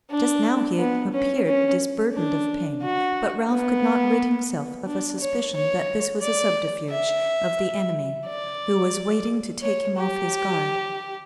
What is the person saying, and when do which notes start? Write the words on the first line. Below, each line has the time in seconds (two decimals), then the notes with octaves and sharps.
Just now he appeared disburdened of pain, but Ralph could not rid himself of a suspicion that this was a subterfuge of the enemy, who was waiting to take him off his guard.
0.11 D4
0.79 B3
1.13 C#4
1.47 C#4
2.14 D4
2.83 F#4
3.51 B3
4.87 D4
5.20 C#5
5.54 C#5
6.22 D5
6.90 E5
8.27 D5
9.62 C#5
9.96 G4